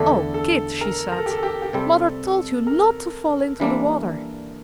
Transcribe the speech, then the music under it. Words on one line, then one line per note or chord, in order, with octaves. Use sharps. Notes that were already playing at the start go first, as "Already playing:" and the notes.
"O Kit," she said, "Mother told you not to fall into the water!"
Already playing: E2 D3 A3 D4 A4
A4
A#4
A#4
A4
G4
A4
G4
G4
C3 G3 C4 A4
A#4
E3 G3 A#3 D4